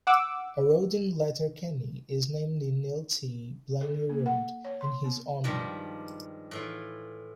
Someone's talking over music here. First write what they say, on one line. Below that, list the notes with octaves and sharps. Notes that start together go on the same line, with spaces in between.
A road in Letterkenny is named the Neil T. Blaney Road in his honour.
F#5 D6 E6
A4
A#3
F#5
C#5
C6
B3
G2 D#3 F3 G3 G#3
A2 E3 F4